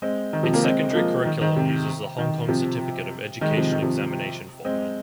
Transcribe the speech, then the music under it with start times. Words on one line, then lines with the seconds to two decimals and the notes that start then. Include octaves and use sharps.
Its secondary curriculum uses the Hong Kong Certificate of Education Examination format.
0.02 G#3 C4
0.33 D#3
0.43 C3 F3
0.53 F3 A#3
0.63 G#3 C4
0.90 G#3
0.95 F3 A#3
1.25 D#3
1.41 D#3
1.56 C3
2.18 D#3
2.48 C3 F3
3.41 D#3 G#3
3.57 C3 F3
3.72 D#3
3.82 C3 F3
4.65 G#3 C4